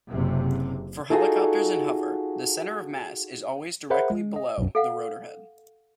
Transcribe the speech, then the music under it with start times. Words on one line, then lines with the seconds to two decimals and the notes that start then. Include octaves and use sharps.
For helicopters in hover, the center of mass is always directly below the rotorhead.
0.10 F#1 C3
1.10 D#4 F4 F#4 G#4 A4
3.90 G#4 A#4 C5 E5 F#5 B5
4.10 G#3
4.36 D#5
4.58 B1 F#2
4.75 A4 F5 F#5